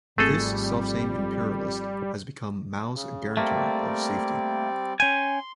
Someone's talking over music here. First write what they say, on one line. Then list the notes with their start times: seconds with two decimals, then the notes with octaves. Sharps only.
This selfsame imperialist has become Mao's guarantor of safety.
0.18 G#1 F2 G3 A3 C4 G#4 A4
2.95 C#3
3.37 G3 A3 A#3 C4 D5
5.00 C#4 G5 G#5 C6